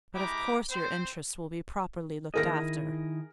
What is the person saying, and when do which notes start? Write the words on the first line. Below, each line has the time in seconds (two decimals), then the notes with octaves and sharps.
'But of course your interests will be properly looked after.
0.15 G#3 E4 G4 A#5 D6
0.70 C4 C5
2.34 D#3 E4 G#4 A#4 D#5 A#6